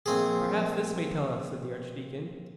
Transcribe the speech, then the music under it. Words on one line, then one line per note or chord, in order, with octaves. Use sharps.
"Perhaps this may tell us," said the Archdeacon.
A#1 C4 G#4